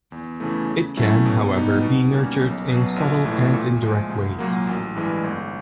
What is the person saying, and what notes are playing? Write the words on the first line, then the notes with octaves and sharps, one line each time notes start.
It can, however, be nurtured in subtle and indirect ways.
E2
C#3 E3 A3
C#3
F#3 A3 C#4 E4
B2
G3 B3 D#4
B2
G3 A#3 C#4
B1
B2 F#3
A#1
A2 E3 A3
A#2
F3 G#3
C2
A#2 F#3 A#3
A1
G2 E3 G#3
G1